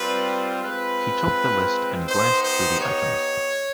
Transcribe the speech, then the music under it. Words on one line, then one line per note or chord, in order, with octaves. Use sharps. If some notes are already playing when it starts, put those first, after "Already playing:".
He took the list and glanced through the items.
Already playing: G3 C4 F4 B4
G#3 C4 F4 B4
B3 D#4 G4 C5
C5
C#5